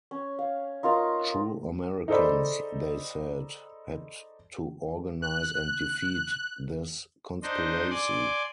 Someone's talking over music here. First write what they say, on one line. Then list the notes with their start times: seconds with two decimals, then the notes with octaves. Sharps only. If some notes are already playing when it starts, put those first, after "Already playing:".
True Americans, they said, had to organize and defeat this conspiracy.
0.11 C#4
0.39 F5
0.83 D#4 F4 A#4 A#5
2.08 D#4 G#4 A4 C5 D5 B5
5.22 F#6
7.43 D4 D#4 C5 D#5
7.91 D5 G#5 C6 D6